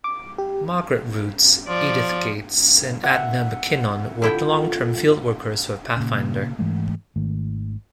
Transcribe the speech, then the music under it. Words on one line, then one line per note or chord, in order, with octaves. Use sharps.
Margaret Roots, Edith Gates, and Edna McKinnon were long-term fieldworkers for Pathfinder.
D6
G4
F3 D5
E5 F#5
D3 E4 F4 G5
A#2 C#3
G#2 E3 G#3 A3
G#1 G#2 D#3 A3